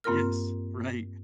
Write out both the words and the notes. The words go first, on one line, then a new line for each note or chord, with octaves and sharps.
Yes, right.
G2 A#3 C4 F4 A#4 F6